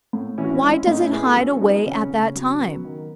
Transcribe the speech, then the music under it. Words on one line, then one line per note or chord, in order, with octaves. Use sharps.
Why does it hide away at that time?
A2
E3 C#4 E4
F#4
C#4 E4
G#3 C#4 E4
A2 D#4
C#4 E4
B3 E4 G#4
F#4 A4
F#3 C#4
C#4
B3 D#4
C#3 C#4
C#3
F#3
B3
D#3